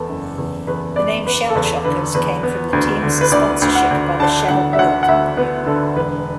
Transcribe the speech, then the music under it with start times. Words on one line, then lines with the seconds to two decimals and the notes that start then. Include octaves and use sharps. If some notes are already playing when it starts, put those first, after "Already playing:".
The name "Shell Shockers" came from the team's sponsorship by the Shell Oil Company.
Already playing: E2 B3 A4
0.09 F#1
0.38 E2
0.67 E2 B4
0.96 B3 D5
1.25 B3 B4
1.50 A4
1.55 E2 B4
1.84 D3 B4
2.14 E2 B4
2.43 B3
2.73 D2
3.02 D3
3.21 B4
3.32 D2 D5
3.62 D2
3.75 F#5
3.91 D2
4.20 D3 A5
4.49 D2 F#5
4.73 E5
4.79 D2 F#5
5.03 F#5
5.08 D2 E5
5.37 B3 B4
5.66 D3 A4
5.95 E1 B4